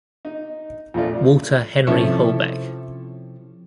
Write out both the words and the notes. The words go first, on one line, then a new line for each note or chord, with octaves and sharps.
Walter Henry Holbech.
D#4
F2 A#2 A3 F4 D5
C3 F3 C#4 E4 A4 C#5